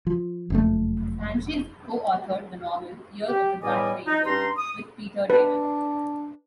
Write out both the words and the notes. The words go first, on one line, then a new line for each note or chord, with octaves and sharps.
Sanchez co-authored the novel "Year of the Black Rainbow" with Peter David.
F3
F#1 F2 A3
G4
E2 A2 G3 D5 D#5 G#5
D#4
G2 C#4 D#4 A#5 C6
D#6
D4 B4